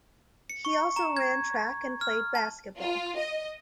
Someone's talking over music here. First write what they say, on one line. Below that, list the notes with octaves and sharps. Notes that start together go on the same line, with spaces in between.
He also ran track and played basketball.
C#7
C#6
A#5
G#6
F6
A5
F4
D#5